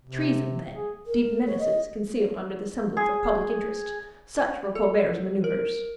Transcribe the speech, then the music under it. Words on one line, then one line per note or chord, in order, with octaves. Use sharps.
Treason, then--deep menaces, concealed under the semblance of public interest--such were Colbert's maneuvers.
C3
G#4
A#4
C#5
D#5
G#4
A4
A#4